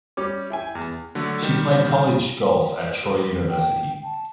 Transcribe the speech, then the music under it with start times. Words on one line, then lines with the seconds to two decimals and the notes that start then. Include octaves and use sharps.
She played college golf at Troy University.
0.17 G3 C#4 D6
0.50 E4 G5 G#5
0.75 E2
1.15 D3 F#3 A3
1.42 D#3 G3
3.03 G4
3.51 G5
4.04 A5